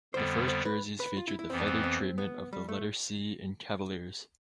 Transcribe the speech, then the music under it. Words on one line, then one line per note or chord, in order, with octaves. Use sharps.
The first jerseys featured the feathered treatment of the letter C in Cavaliers.
F2 D3 G3 B3 C5
C5
B4
B4
F4
E4
E4
F2 E3 B3 C4
D4
C4
C4
B3
G3
A3